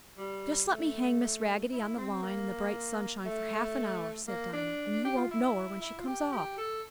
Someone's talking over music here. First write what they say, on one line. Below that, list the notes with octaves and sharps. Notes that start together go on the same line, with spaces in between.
"Just let me hang Miss Raggedy on the line in the bright sunshine for half an hour," said Dinah, "and you won't know her when she comes off!"
G3
A3
E4
C4
A#3
A3
A#3
D4
G4
F4
E4
E4
F4
G4
G4
A4